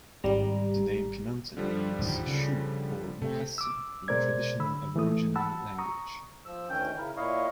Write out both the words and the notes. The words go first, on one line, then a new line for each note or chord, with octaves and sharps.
The name Pinantan means shoe or moccasin in traditional Aboriginal language.
G#1 G3 A#5
D3 F3 G3
D1 G#2 D#3
C#3
C3 A3
D6 E6
B2 G#3 A#4 C5 D5 G#6
D3 B5 E6
E3 A3 D#6
F#5 A5 B5 E6
A#5 C#6 D#6
F3 E6
D2 D#3 C#4 G5 G6
C#3 E4 A#4
A#2 E4 C#5 D#5 F5 C#6